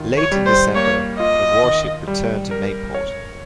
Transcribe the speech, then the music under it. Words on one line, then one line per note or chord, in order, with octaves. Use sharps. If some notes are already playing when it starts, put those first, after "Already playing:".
Late in December, the warship returned to Mayport.
Already playing: D#3 F4
C#5
G3
C5
A#3 C#5
F4 D#5
D#3
G3
A#4
C#5